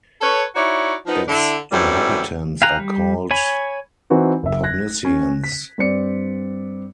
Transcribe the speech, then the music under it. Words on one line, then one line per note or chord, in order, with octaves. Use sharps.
Its inhabitants are called "Pognissiens".
A4 B4 C#5
D#4 E4 F#4 C#5 D5
F3 B3 D#4
D3 D4 E4
F#2 E3 G3 C4 A4
F5 G5 G#5 A#5 F#6
G3
C#5 G#5 B5
E3 C4 D#4 F#4 B4
F#1 E5
F#6 G#6 A#6
C#4
B6
G2 C4 D5 C#7